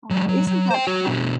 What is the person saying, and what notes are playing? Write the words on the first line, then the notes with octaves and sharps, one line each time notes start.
Oh, isn't that funny?
F#3 G#3
F#3
F#3
C5 G5
F#4 C#5
B2 D4